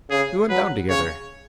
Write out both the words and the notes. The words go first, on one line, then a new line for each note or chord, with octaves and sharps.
We went down together.
C#3 G#4
F#3 B4
C#3 C#5